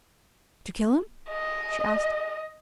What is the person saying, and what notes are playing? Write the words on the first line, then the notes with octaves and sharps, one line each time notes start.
"Did you kill him?" she asked.
D#5